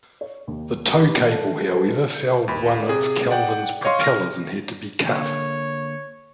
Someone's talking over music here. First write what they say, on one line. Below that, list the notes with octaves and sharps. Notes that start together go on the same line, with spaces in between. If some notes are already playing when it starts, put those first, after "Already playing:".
The tow cable, however, fouled one of "Kelvin"s propellers and had to be cut.
C#5
D#2
G4 B4 B5 D6
A4
G3 G4 A4 B4 C5
G6 C#7
D#2 B5
C3 G#4
D5 F#5 G5
C#5 D#5 F5 C6 C#6
F6 A#6
D3 A#3 C#5